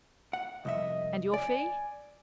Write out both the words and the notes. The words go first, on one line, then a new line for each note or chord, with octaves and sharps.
"And your fee?"
F#5
C2 F2 D#5 E5
D5 G#5